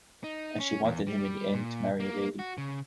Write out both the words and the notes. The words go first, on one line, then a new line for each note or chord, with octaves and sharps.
And she wanted him in the end to marry a lady.
D#4
C#4
E2
G3
A#2
A#3
F#4
C#3